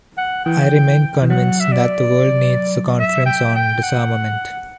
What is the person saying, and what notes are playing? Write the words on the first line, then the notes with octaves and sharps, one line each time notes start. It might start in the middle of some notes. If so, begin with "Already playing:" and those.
I remain convinced that the world needs a Conference on Disarmament.
F#5
E3 G5
E3
F#3 F#5
E5
D5
E5
G5
G5
F#5